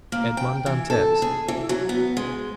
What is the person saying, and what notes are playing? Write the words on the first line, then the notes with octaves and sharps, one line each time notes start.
Edmond Dantes.
A#3
G5
E3
A4
G#4
E3
F#3
B3
G#3